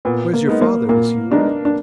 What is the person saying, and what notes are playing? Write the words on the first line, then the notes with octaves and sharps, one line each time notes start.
'Where's your father, Miss Yule?'
A#2 B3
A#3
G#3 B3 D#4 A#4
A#3
A#2 A#3
G#3 B3 D4 D#4 A#4
D4